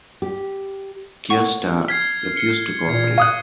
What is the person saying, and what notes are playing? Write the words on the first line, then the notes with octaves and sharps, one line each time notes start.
Cuesta refused to co-operate.
G4
F#5 C#6
F6 G#6 B6 C7
C#7 G7
A#2 G#6
F5 C#6 D#6 F#6